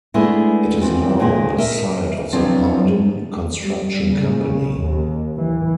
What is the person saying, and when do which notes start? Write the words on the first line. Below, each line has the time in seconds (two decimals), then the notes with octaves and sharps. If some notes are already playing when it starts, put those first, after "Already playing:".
It is now the site of the Hardin Construction Company.
0.14 G#3 A3 B3 D4 E4
0.81 D#3 E3 C4 F4 F#4
1.20 A#2 D3 D#3 G#3
1.58 A#4 D#5 E5
2.32 F3 F#3 B3 C4 D4 E4
3.60 G3
4.08 C#3
4.84 D#2
5.37 E3